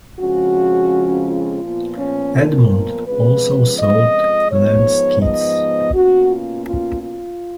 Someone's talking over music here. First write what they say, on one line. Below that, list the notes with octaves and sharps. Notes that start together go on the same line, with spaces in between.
Edmund also sold lens kits.
F2 C#3 F3 G#3 C#4 F#4
F4
A#2 F3 B3
C#4
A#4
F2 C#3 F3 G#3 B3 B4
D#5
G#2 F3 B3 C#5
D#5
B2 A#3 C#4 F#4
F4
F4
F4